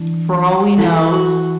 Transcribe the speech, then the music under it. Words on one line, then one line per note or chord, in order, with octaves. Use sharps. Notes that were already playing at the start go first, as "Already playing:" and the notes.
for all we know,
Already playing: E3 D4
E3 B3 E4 A4
F#4